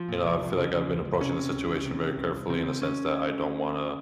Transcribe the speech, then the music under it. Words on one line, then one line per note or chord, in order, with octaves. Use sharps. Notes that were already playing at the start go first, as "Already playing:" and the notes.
you know, I feel like I've been approaching the situation very carefully in the sense that I don't wanna
Already playing: F3
A#2
C2
C2
C#3
C#3
C#2
C#2
C3 C#4
C3
C#2
C#2
C3
C3
C2
C2
C#3 C4
C#3
C#4